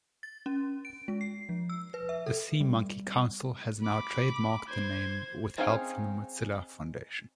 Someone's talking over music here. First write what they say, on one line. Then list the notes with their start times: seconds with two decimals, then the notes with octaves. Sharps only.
The SeaMonkey Council has now trademarked the name with help from the Mozilla Foundation.
0.23 A6
0.46 C#4
0.85 D7
1.08 G#3
1.21 C7
1.49 F3
1.70 E6
1.94 B4
2.09 E5
2.26 A4
2.61 G3
3.82 B5 D6
4.68 C5 G#6
5.58 C4 C#4 D#4 G#4 F5